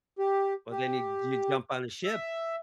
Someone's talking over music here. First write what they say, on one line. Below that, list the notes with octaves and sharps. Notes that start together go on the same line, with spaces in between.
Well, then you you jump on a ship.
G4
G4
E5